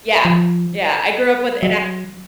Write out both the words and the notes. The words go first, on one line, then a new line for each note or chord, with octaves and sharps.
yeah, yeah, I grew up with and I
F3
F#3